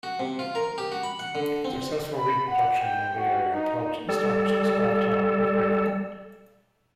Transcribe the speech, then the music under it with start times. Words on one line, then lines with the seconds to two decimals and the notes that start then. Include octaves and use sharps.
Successful wheat production in the area helped establish the small town of Greenough.
0.03 F#4
0.20 C3
0.39 F4
0.55 A#4
0.78 G4
0.92 F#4
1.03 B5
1.19 F#5
1.35 D3
1.65 C4
2.18 B5
2.48 F#5
2.82 G5
3.19 F#4
3.54 D#4
4.09 G3 A4